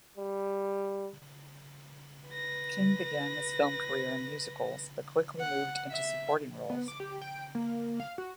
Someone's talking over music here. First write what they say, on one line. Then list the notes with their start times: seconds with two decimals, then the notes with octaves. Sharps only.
King began his film career in musicals but quickly moved into supporting roles.
0.18 G3
2.29 B4 A#6
5.40 F#5
5.90 E5
6.70 B3
6.88 D6
7.00 G4
7.22 G5
7.55 A#3
8.00 F5
8.18 F#4